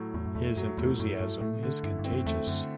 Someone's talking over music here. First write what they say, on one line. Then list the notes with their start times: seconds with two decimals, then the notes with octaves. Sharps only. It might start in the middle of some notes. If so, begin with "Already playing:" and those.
His enthusiasm is contagious.
Already playing: A2 F#3
0.14 E2 A2
0.25 F#2
0.35 E2 A3
0.56 F#2 F#3
0.78 E2 A2
0.99 F#2 A2
1.20 G2 A3
1.41 A2 A3
1.63 D3
1.84 G2 E4
1.99 G2
2.05 C4
2.13 F#2
2.26 E2 A3
2.47 F#2 D3